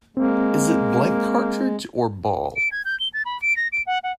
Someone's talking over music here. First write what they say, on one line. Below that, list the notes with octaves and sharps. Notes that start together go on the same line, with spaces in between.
Is it blank cartridge or ball?
G#3 A#3 C4
D7
G#6
G6
G7
A6
B5
D7
A#6
D7
F#5
F#5